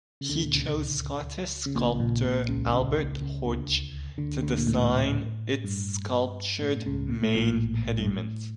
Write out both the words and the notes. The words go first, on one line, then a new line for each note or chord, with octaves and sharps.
He chose Scottish sculptor Albert Hodge to design its sculptured main pediment.
C#3
D2 D3
A#2
C#2 C#3
C#3
A#1 A#2
A#1 A#2
A#1 A#2
C#2 C#3
C#2 C#3
A#1 A#2
C#2 C#3
D2 D3
D2 D3
D2 D3
A#2
A2
G2
A2
C#2 C#3
A#2
A2
A#1 A#2
G2
A2